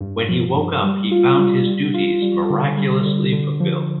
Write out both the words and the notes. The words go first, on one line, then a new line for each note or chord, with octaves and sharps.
When he woke up he found his duties miraculously fulfilled.
G2
F3
G2
G3
F4
G3
G3
F4
G3
D3
G3
D3
D3
F3